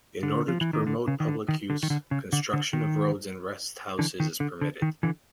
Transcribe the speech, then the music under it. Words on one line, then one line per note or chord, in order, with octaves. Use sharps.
In order to promote public use, construction of roads and rest houses is permitted.
D3
F3
E3
D#3
D3
C#3
D#3
D3
D#3
D3
D#3
D3
C#3
D3
D3
D#3
D3 E3
D#3
D3
D3
D#3
D3 E3